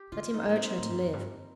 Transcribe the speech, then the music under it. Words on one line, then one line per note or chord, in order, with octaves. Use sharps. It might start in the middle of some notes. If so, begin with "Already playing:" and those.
Let him urge her to live.
Already playing: G4
D3 F4
D#4
A2 A#3
C4
A2
G2
F2
G2